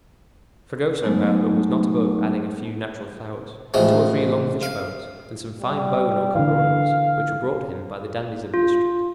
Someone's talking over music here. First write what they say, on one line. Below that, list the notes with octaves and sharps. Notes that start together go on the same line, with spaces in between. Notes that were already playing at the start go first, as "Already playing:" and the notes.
Fragoso, however, was not above adding a few natural flowers, two or three long fish-bones, and some fine bone or copper ornaments, which were brought him by the dandies of the district.
F#3 G#3 A3 B3 D#4
A1 F3 G#3 A3
F5
G3
D3 E3 F5
F4